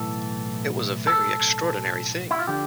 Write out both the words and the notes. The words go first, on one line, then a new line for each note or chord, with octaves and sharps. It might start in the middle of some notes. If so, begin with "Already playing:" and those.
It was a very extraordinary thing!
Already playing: B1 A2 E3 A4
A4
E4
F4
D3 F3 G4